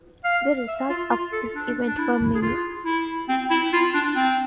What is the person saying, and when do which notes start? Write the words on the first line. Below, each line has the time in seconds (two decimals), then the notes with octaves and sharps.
The results of this event were many.
0.24 F5
0.68 E5
0.89 F4
1.11 F4
1.32 A4
1.54 D4
1.86 D4
1.98 E4
2.34 G#4
2.42 F4
2.85 E4
3.29 C4
3.50 E4
3.73 F4
3.94 D4
4.16 C4